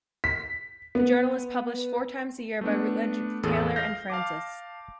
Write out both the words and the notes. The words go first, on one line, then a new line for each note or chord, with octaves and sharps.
The journal is published four times a year by Routledge Taylor and Francis.
B6
B3
A3 B3 D4
A1 E2 G#4 A4
F5 G6 A#6
F5 A5 D6